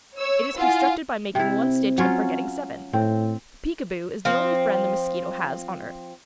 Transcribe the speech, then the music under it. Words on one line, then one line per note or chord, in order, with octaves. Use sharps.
It is constructed by making one stitch and forgetting seven. The Peekaboo is the only friend the mosquito has on earth.
C#5 E6
E4 F4 F#5 G#5
C3 C4 E4
F#3 C#4 F4
A2 C4
F3 C4